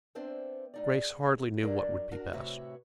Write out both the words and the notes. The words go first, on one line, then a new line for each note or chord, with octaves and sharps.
Grace hardly knew what would be best.
B3 C4 D4 C5 E5
A2 D#4 D5
G#4
F#3 D4 A#4
D4 F#4 A#4
A2 C3 F#4 B4 C#5 E5